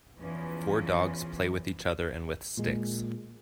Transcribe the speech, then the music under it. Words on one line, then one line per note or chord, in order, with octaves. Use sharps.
Four dogs play with each other and with sticks.
E2 E3 F3 C#4
A#2 G#3